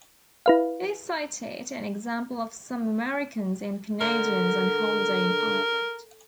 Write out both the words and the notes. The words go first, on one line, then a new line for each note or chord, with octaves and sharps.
He cited an example of some Americans and Canadians on holiday in Ireland.
E4 B4 F5
D3 A#4